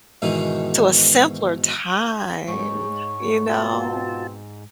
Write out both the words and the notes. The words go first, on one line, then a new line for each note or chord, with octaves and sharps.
to a simpler time, you know.
G#2 B2 D#3 E3
G#2 G#3 C#5
B2 C4 F4 F#4 A5